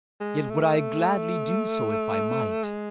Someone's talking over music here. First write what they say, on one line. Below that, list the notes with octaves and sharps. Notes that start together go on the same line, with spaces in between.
Yet would I gladly do so, if I might.
G#3
A3
G#3